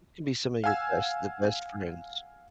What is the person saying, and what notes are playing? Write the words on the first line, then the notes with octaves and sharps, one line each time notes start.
To be some of your best the best friends.
F5 F#5 G#5 E6 G#6